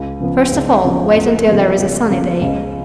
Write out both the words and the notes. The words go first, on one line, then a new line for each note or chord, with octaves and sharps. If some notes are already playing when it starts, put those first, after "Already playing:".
First of all wait until there is a sunny day.
Already playing: C#2
C#3 F3 B3
C#2
C#3 F3 B3
C#2
C#3 F3 B3
C#2
C#3 F3 B3
C#2